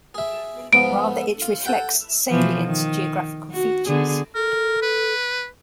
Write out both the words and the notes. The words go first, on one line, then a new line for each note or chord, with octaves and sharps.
Rather, it reflects salient geographical features.
G#4 E5
G#2 F3 B3 D7
F4
A4 F#5 G5
B2 E3 F3
D#3
F#4
D3 B3 G#4
A4 A#4
B4